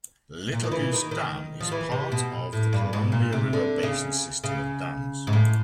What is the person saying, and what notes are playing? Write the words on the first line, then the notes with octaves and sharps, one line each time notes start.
Little Goose Dam is part of the Columbia River Basin system of dams.
A#2
D#3
E3
D#3
D#3
F3
E3
C3
B2
A2
G2
G#2
A#2
C3
D3
C#3
C#3
G#2
A2